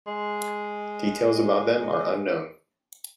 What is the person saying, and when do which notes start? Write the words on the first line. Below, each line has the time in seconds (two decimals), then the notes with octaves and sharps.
Details about them are unknown.
0.07 G#3